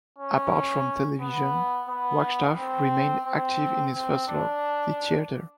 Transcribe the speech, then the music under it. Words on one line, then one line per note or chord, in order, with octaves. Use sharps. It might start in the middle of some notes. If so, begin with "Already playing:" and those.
Apart from television, Wagstaff remained active in his first love, the theatre.
C#4
B3
B3
C4
C4
C4
D4